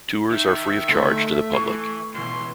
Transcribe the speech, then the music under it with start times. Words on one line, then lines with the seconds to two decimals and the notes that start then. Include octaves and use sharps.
Tours are free of charge to the public.
0.32 D#3 E5
0.88 D2 A3
1.54 E3 C#6 C7
2.14 C#2 B2 E3 C6